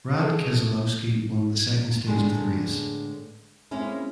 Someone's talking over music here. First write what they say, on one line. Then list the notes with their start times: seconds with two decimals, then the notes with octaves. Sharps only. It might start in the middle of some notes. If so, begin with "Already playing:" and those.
Brad Keselowski won the second stage of the race.
0.21 G#4 A4
2.06 A2 D3 G#3 B3 D4 G#4
3.71 G#3 A#3 C4 C#4 E4